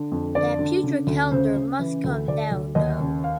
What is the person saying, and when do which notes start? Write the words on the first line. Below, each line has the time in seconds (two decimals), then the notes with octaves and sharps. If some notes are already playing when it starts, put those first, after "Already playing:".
That putrid calendar must come down, though.
Already playing: D3
0.12 F2
0.35 D3 D5
0.59 D3
0.83 C#3
1.07 D2
1.32 C#3 C5
1.56 C#3
1.79 E3
2.04 D2
2.28 D2 D5
2.51 D2
2.75 D#2 D#5
3.00 C#3
3.24 F5